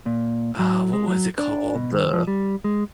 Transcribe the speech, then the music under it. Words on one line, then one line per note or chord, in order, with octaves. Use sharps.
Uh, what was it called? The
A#2
F#3
G#3
F#3
D4
B2
D#2
F3
G3
G#3